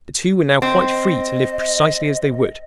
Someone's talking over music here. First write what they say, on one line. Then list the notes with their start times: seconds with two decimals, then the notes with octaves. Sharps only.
The two were now quite free to live precisely as they would.
0.62 C4 D#5